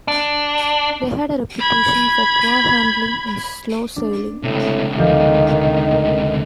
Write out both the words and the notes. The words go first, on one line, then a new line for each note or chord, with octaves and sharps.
They had a reputation for poor handling and slow sailing.
D4
B5 G#6
D4
C#2 A2 C3
D2 D#3 F3 D#5 G6